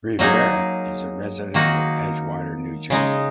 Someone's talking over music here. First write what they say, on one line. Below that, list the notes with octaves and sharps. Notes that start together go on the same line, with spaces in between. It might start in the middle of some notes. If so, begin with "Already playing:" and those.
Rivera is a resident of Edgewater, New Jersey.
F#3 A#3 D#4 G#4
D#3 A#3 D#4 F#4
C#3 G#3 D#4